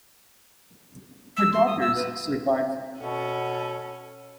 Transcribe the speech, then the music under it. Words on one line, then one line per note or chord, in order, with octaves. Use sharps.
Her daughters survive her.
E6
C6
D#6
E6
B4
B2 C#4 A4 F#5